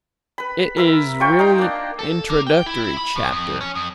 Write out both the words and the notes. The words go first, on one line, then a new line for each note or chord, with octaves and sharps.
It is really an introductory chapter.
B4 B5
A#4 E5 B5
F4 C5 G5 C#6
D#4 A#5 C6
A#3 D4
A4
A#3
G5
E4
E4
B5
A2
F2
C#4
F2